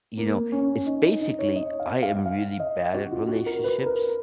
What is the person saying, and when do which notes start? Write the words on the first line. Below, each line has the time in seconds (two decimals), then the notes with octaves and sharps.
you know, it's basically, I am really bad at relationships,
0.18 A#3
0.52 C#4
0.86 D#4
1.04 D#4
1.21 D#4
1.39 C#5
1.56 D#5
1.79 F5
2.03 F5
2.26 F5
2.60 D#5
2.94 F#4
3.12 F4
3.28 F#4
3.46 A#4
3.64 B4
3.86 A#4